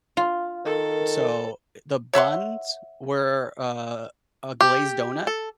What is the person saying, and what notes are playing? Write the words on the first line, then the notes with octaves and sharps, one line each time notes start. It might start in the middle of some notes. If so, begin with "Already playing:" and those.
so, eh the buns were a a glazed doughnut,
F4
D#3 A4 A#4
C#5 E5 F#5 C6
G4
A4